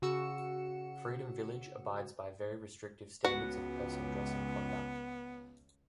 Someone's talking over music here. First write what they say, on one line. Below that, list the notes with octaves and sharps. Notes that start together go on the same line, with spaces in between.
Freedom Village abides by very restrictive standards of personal dress and conduct.
C#3 F#4 E6 C#7 E7
C#2 B3 F#4 F#5